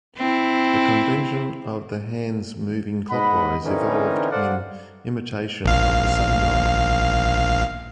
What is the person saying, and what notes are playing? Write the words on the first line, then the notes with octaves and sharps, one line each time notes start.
The convention of the hands moving clockwise evolved in imitation of the sundial.
C4 E4
G#2 D#5 F#5 B5
D3 E3 C4 C#4 D#4 A#4
A4 C5 D5 F5 F#5
A#1 F5